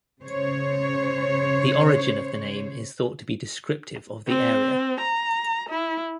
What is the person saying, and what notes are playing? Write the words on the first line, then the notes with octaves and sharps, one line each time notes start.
The origin of the name is thought to be descriptive of the area.
C#3 C5 C#5
C4
A#5
E4